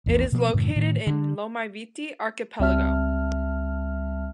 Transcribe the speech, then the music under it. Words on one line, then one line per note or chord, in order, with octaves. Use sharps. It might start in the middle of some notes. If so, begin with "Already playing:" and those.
It is located in Lomaiviti Archipelago.
A#1 E2 A#2
B2 F3 A#3
F#2 A2 C#3 E3
A2 D#3
D3 D4
C#2 G3 C4 E5 A5 F6